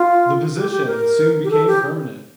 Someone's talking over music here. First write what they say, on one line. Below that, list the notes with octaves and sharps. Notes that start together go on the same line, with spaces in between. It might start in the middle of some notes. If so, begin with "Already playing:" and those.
The position soon became permanent.
Already playing: F4
G4
G4
A#4
G4
A4
G4